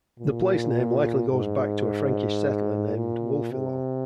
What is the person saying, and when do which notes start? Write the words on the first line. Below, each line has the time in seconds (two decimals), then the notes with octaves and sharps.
The placename likely goes back to a Frankish settler named Wulfilo.
0.19 A#2
1.30 G#2
2.96 A#2
3.51 C3